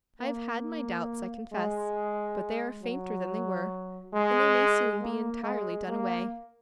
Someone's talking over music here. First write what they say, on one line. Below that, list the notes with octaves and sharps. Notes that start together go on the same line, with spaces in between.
I have had my doubts, I confess; but they are fainter than they were, and they may soon be entirely done away.
A#3
G#3
F#3
G#3
A#3
G#3
A#3